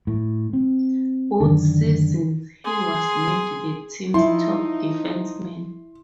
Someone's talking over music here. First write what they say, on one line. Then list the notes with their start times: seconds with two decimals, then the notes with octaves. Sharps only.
Both seasons he was named the team's top defenceman.
0.07 A2
0.53 C4
1.40 F#2 D3 D#3 D4
2.64 G#4 C6
4.14 F3 D#4 E4 C6